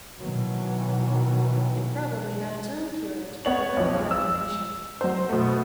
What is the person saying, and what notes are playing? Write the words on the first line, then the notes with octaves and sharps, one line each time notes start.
It probably had its own curate before the Reformation.
B2 D#3 E3 F#3
B3 C#5 F#7
B1 F2
E6
F#3 C5
B2 A3